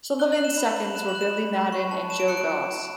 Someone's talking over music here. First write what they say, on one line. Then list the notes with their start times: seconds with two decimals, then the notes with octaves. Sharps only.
Sullivan's seconds were Billy Madden and Joe Goss.
0.19 F#6 G7
0.32 F#7
0.39 F#6
0.45 E7
0.58 B5
0.76 B5
0.95 F#6 E7
1.09 F#7
1.15 F#6
1.21 E7
1.34 B5
1.53 B5
1.72 C#6
1.91 A5
2.10 A5 E7
2.20 D7
2.28 F#6 C#7
2.37 D7